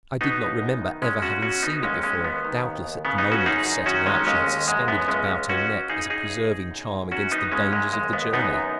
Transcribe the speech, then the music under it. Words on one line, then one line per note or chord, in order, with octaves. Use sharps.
I did not remember ever having seen it before; doubtless, at the moment of setting out she had suspended it about her neck as a preserving charm against the dangers of the journey.
B2 B3 D#4
C#2
F#2
D#3
F#2 G#3 C#4
C#3 C#4 F#4
B2 C#4 F#4
B2 B3 D#4
D#2 G#3 C#4
D#2 G#3 C#4
D#2 B3
D#3
D#2
D#2
C#3 B3
B3 D#4
C#3
C#4 F#4
F#2 D#4 G#4
F#2
D#3 C#4 F#4
D#3 G#3 C#4
D#2 G#3 C#4
D#2
F#2 G#3
F#2 B3
C#2 G#3 C#4
C#2
C#2 C#4 F#4
C#2
C#3 D#4 G#4
F#2 D#4 G#4
C#2
B2
F#2
F#2
F#2 C#4 F#4
D#3 B3 D#4
C#3 G#3 C#4
F#2 G#3
D#2 G#3
D#2 B3
F#2 B3 D#4
F#2